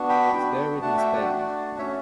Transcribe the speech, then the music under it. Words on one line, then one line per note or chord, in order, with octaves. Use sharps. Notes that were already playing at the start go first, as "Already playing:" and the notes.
He is buried in Spain.
Already playing: B3 D4 F#4
G5 B5
B3 D4 F#4
A3 D4 F#4 F#5 A5
E5 G5
D5 F#5
A3 D4 F#4
A3 C#4 F#4 C#5 E5